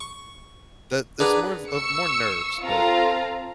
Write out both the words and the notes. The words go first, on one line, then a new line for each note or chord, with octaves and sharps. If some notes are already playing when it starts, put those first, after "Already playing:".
that that's more of of more nerves, but
C#6
D4 G#4 A#4 B4 F#5
C#6 E6 C#7
C4 F4 A4 F5 A#5